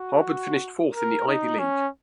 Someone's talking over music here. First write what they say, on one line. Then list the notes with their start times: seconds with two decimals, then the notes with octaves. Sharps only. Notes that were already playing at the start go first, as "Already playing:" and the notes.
Harvard finished fourth in the Ivy League.
Already playing: F#4
0.94 A#4
1.27 D#4
1.59 C#4